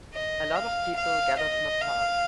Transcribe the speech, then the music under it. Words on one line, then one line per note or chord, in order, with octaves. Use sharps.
A lot of people gathered in a park.
D#5
F5
F5
D#5
F5